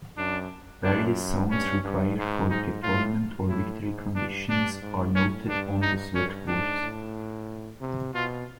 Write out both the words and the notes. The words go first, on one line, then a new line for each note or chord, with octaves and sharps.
Various zones required for deployment or victory conditions are noted on the search boards.
F#2 D4
F#2 D4
G2 C#4
G2
G#2
G#2 D#4
A2 F4
A2 E4
G#2
G2 D4
G2 D4
G#2
A2 C#4
G2 D4
D#4
G2 C#4
G#2 D4
A2
C3
B2 F4